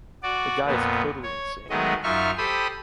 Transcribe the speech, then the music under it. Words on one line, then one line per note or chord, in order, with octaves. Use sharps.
The guy is totally insane.
F#4 D5
F2 A#2 B3
C#5
D#3 F#3 G#3 A3 B3 D#5
F#2 D#4 F4 E5 C#6 F6
G4 A4 C5 B5 D#6